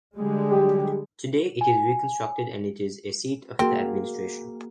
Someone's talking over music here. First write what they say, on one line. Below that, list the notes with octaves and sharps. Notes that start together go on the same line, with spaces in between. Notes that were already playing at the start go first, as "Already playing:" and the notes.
Today, it is reconstructed and it is a seat of the administration.
D3 G3 G#3
F#3 G4
G#5
A#3 C4 F#4 G#4